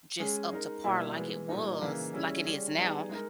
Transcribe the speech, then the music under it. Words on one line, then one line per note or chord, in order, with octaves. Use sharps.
just up to par like it was like it is now.
G#3 C#4 G#4
G#3 D#4 A#4
B2 G3 A#3 E4
E3 G#3 B3
A#2 G3 B3 D#4
C#3 E3 A#3 D#4
C#3 G3 C#4 E4
G3 C#4 G#4
G3 B3 D#4 G#4
G#3 D#4 A#4